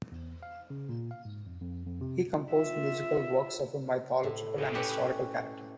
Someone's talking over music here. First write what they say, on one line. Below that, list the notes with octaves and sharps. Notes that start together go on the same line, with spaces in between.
He composed musical works of a mythological and historical character.
E2
F5
C#3
A#2
F5
G#2
F2
F2
F2
C3
F4 E5
A2
C#4 G4 B4 C#5